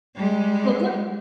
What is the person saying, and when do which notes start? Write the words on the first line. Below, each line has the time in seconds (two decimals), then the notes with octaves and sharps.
What was that?
0.15 G3 G#3